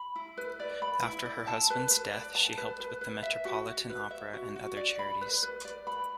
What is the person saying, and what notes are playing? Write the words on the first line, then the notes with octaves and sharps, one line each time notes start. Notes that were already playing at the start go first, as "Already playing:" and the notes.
After her husband's death she helped with the Metropolitan Opera and other charities.
Already playing: B5
E4
B4
D5
B5
E4
D5
A5
B4
B4
D5
A5
B4
B4
B4
E5
F#4
F#4
B4
E5
F#4
F#4
D5
B5
B4
B4
D5
B5